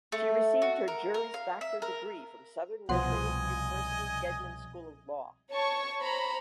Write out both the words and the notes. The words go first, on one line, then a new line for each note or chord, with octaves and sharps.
She received her Juris Doctor degree from Southern Methodist University Dedman School of Law.
A3
F#4
A#4
A#4
F5
E5
A#4
C2 B2 F3 D#5 F#5 G#5 C6
C#5 A5 C#6
C5 A#5 B5